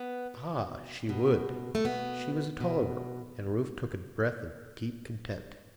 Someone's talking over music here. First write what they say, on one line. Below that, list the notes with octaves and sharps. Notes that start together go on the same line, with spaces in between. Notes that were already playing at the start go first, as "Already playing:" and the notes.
Ah, she would--she was a Tolliver and Rufe took a breath of deep content.
Already playing: B3
B2
B2
A3
B2 B3
B2